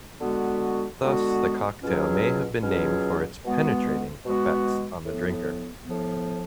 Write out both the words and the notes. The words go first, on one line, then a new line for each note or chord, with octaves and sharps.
Thus, the cocktail may have been named for its "penetrating" effects on the drinker.
D3 G#3 B3 F#4
D3 G#3 B3 F#4
B2 F#3 C#4 F4 G#4
B2 F#3 C#4 F4 G#4
B2 G#3 B3 F#4
B2 G#3 B3 F#4
A2 F3 B3
A2 F3 B3